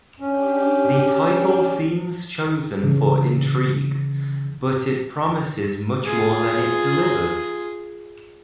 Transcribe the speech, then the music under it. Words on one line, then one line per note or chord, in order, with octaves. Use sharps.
The title seems chosen for intrigue, but it promises much more than it delivers.
C#4 D4 G4
C#3 E3
F4 G#4